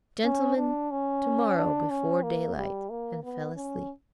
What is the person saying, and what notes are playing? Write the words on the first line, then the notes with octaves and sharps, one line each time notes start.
"Gentlemen, tomorrow before daylight!" and fell asleep.
C#4
D4
C#4
D4
C#4
A#3
G3
A#3
B3
C#4